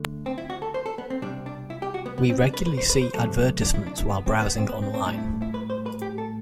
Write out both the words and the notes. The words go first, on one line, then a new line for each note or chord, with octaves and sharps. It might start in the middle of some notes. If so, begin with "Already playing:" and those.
We regularly see advertisements while browsing online.
Already playing: D2 D3 A3
C4
E4
F#4
A4
C5
A4
B3
C4
C2 B2 G3 D4
D4
E4
G4
F#4
B3
B3
C4
D4
B4
B4
C5
B4
C5
D2 C3 F#3 A3 A4
D4
E4
D4
E4
B3
C4
B3
C4
B3
C4
C4
A2 G3 D4
E4
E4
B4
C5
B4
G4
A4